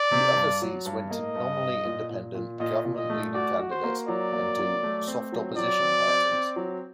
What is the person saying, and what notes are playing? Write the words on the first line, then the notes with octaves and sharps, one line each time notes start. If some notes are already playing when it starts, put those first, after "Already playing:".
The other seats went to nominally independent, government-leaning candidates, and to "soft opposition" parties.
Already playing: D5
C3
G2
F#3
G2
A#3 D#5
G2
G2
A#2
A#2
A#2
A#2 D#5
A#2
D#5
A3
F#4 D5
F#4
C5
A#3
F#3 D5
A#3
F#3
A3
C4
F#3
F#3 D5
C4
C4
C4
F#3